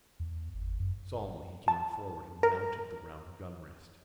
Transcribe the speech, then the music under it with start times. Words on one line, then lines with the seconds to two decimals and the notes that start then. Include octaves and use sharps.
Solemnly he came forward and mounted the round gunrest.
0.20 E2
0.54 G1
0.80 F#2
1.68 A5
2.43 A#4